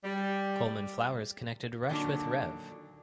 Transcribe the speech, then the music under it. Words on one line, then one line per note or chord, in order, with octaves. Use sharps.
Coleman Flowers connected Rush with Rev.
G3
A#2 D3 D#3 F#3 D4